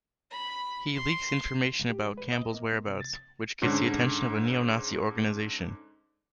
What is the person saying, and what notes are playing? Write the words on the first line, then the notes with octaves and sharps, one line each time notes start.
He leaks information about Campbell's whereabouts, which gets the attention of a neo-Nazi organization.
B5
C6
G4
G#3
B4
D#5
A#3
A#3
C3
A6
G#2 D3 C#4